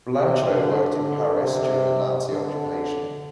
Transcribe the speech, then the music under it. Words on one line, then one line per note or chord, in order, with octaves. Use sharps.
Blanchot worked in Paris during the Nazi occupation.
C3
D3
D3
C3
D3